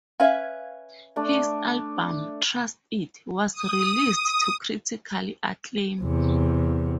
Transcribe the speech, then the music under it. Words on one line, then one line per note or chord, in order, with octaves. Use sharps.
His album "Trust It" was released to critical acclaim.
C#4 B4 E5 F5 G#6
A3 D4 D5
D#6
E2 C3